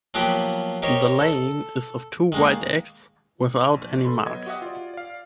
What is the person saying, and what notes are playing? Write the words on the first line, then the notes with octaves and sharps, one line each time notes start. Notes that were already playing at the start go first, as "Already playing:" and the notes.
The laying is of two white eggs without any marks.
F3 F#3 A#3 B3 G4 G5
D#4 G4 A#4 C5 C#5
A4
D#3 G#3 A#3
A#1
A4 B5 C6
F#3 B3 D#5 G#6
F#4 G4 D#5 E5 F#5 D#6
F4 D5
D5 F5